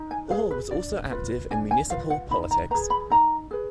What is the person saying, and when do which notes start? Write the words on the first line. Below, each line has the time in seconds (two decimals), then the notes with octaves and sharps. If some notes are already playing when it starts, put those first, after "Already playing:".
Orr was also active in municipal politics.
Already playing: D#4
0.11 G#5
0.30 G#4 B4 F5
0.51 B4
0.71 D4 D5
1.11 F4 B4
1.50 D4 G#5
1.71 G#5
1.90 F4 B4 F5
2.10 F#5
2.31 D#4 B5
2.51 A#5
2.71 B4 A#5
2.74 G#4
2.90 B5
3.10 D#4 A#5
3.51 G#4 B4